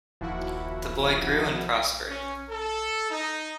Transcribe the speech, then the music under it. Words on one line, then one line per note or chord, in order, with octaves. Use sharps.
The boy grew and prospered.
D#1 D#2 F3 E4 F#4 F#5
C#4
A4
D#4